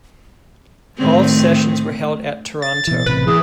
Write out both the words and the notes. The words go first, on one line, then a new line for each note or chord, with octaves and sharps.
All sessions were held at Toronto.
A2 D#3 C4
A6
B2 E3
A1 C3 B4
E3 G#4